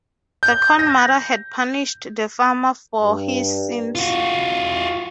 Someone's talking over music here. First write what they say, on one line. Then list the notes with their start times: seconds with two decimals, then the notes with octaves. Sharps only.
The Corn Mother had punished the farmer for his sins.
0.43 G6
0.79 A#6
3.01 G2
3.95 F4 F#4